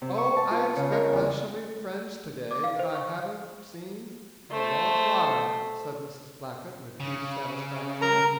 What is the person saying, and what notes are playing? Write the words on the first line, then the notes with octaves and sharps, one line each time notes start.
"Oh, I expect I shall meet friends today that I haven't seen in a long while," said Mrs. Blackett with deep satisfaction.
C3
C#6
A5
F4
C#3
A#4
E2
D6
F5
C5
C#6
A3 C5
C#3
A#4 A#5